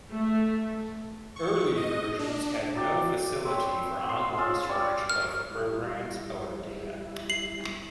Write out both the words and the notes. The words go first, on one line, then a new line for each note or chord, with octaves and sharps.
Early versions had no facility for on-line storage of programs or data.
A3
C#6
D#5
D4
F#3 D5 G5
C4 C#5 B5
C#5 C6
C#4 F4 D#6 E6
G3 C#5 D5
A#4 C#5 F6
G3 E4
C7 F#7